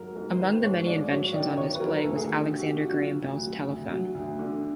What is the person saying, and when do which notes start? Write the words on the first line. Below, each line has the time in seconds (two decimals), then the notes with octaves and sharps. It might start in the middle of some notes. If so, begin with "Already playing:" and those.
Among the many inventions on display was Alexander Graham Bell's telephone.
Already playing: G#2 F#3 F#4 A#4
0.16 G#2 A#4
0.32 C5
0.39 D#3 B4
0.63 G#2 C#5
0.86 G#2 D5
1.10 F#3 C#5
1.33 D#3 D5
1.56 D#3 C#5
1.75 B4
1.80 F#3 A#4
2.04 D2 A4
2.16 G#4
2.27 D3
2.50 D3 G4
2.58 F#4
2.65 G4
2.74 D3 F#4
2.82 F4
2.89 F#4
2.97 F#3 F4
3.21 D2
3.45 F#3
3.68 D2
3.91 F#3
4.15 D2
4.39 D3